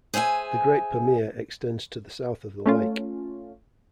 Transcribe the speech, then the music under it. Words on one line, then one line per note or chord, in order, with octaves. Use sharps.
The Great Pamir extends to the south of the lake.
G#4 C5 E5 F5 G#5
A3 C#4 F4